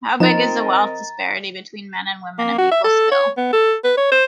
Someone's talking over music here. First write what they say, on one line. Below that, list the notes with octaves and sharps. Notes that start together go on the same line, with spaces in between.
How big is the wealth disparity between men and women of equal skill?
F3 C4 D#4 A#4 D#5 A#5 A6
A#3
F#4
E5
A4
C#5
B3
A4
B4
C#5
C5